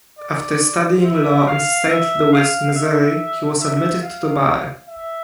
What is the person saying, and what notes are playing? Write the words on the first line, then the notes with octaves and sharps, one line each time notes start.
After studying law in Saint Louis, Missouri, he was admitted to the bar.
D5
E5
F5
E5
F5
E5
E5
F5
E5